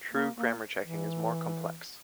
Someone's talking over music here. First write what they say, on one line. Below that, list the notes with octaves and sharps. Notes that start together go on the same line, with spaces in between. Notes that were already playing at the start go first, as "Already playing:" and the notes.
True grammar checking is more complex.
A#3
A#3
E3